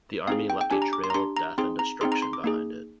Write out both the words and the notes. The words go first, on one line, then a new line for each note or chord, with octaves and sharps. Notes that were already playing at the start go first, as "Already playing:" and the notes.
The Army left a trail of death and destruction behind it.
C4 D#4 G#4 F5
G5
G5
D4 G4 G#5
A#5
D6
C6
A#5
D4 G4 C6
A#5
C4 D#4 G#4 C6
A#5
C4 D#4 G#4 C6
A#5
C6
D6
A#3 D#4 G#4